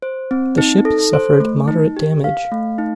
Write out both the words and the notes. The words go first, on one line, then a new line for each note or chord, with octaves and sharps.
The ship suffered moderate damage.
C5
C4
D#4
A4
C5
A3
D#4
G4
F5
A3
D#4